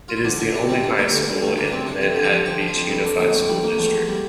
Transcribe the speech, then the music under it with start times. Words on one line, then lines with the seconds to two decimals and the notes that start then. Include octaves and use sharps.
It is the only high school in the Manhattan Beach Unified School District.
0.08 F4
0.16 E4
0.24 D2 D4
0.39 D2 E4
0.54 C3 D4
0.69 G3 C4
0.83 D2 D4
0.98 G3 A#3
1.13 D2 A3
1.28 D2 G3
1.42 D2 A3
1.57 D2 A#3
1.67 D4
1.72 C3 C4
1.86 C3 D4
2.01 F2 E4
2.16 D3
2.23 G4
2.31 F3
2.45 F3 G4
2.61 F3
2.68 F4
2.75 F2
2.89 F2 E4
3.05 F2 D4
3.19 D3 A#3
3.34 F2 A3
3.48 F2 G3
3.63 F2 A#3
3.78 E2 A3
3.93 E2
4.08 G3